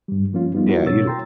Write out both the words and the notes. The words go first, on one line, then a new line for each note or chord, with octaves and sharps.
Yeah, you d
G2 G3
F3 A#3 C#4 F4
G3 B3 D#4 F4
E4 F#4 A#4
B2 C#5 E6 A6
G5 A#5 C6